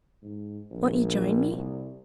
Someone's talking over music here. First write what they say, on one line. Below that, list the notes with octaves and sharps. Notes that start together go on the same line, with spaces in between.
Won't you join me?
G#2
A#1
C2